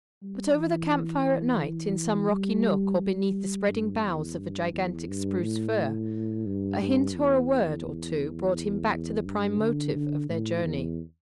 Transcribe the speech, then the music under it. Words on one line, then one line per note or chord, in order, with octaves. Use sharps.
But over the camp-fire at night, in some rocky nook, or beneath the spreading boughs of a gigantic spruce-fir, a hint or a word or two brought him back to the prime motive of their journey.
G3
E3
G3
G3
G2
E2
G2
E2
G2
A2
G2
G2
E2
G2
D3
D3
A2
E2